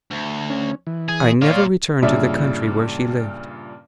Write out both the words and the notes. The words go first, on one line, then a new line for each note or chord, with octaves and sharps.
"I never returned to the country where she lived."
D2
C#4
E3
G#4
A#2 F4 C#5 D5 F5
G2 A#2 C#3 D4 E5